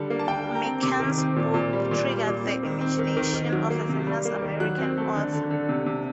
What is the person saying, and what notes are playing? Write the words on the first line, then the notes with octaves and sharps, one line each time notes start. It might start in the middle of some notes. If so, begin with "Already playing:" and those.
Mencken's book triggered the imagination of a famous American author.
Already playing: D3 G3
A#3
A5
D3 G5
G3
A#5
C4
C3 D6
D#3
C4
A#2
A#2
G3
A#2
G3
A#2
C4
D#3
C4
D#3
D#3
D#3
F#3
A#3
C3
G3
A#3
D#3
F#3 F#6
C4
A3
D3
D3
D3
C3
C3